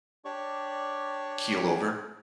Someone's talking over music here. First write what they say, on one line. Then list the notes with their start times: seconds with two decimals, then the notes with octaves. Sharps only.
keel over?
0.25 D4 G4 C#5 D5 C#6